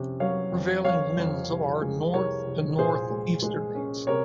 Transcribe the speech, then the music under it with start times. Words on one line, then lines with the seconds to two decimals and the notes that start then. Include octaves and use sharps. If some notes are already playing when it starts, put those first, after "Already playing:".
Prevailing winds are north to north-easterlies.
Already playing: F2 C3 C#4
0.20 F#3 C#5 F5
0.52 F2
0.84 F2 C#5 F5
1.17 F2
1.50 C2
1.81 G#3
2.13 C2 A#4 C#5
2.46 C2
2.78 A#2 G#4 C5
3.10 G#3
3.43 G#3
3.75 C#4
4.07 C3 A#4 C#5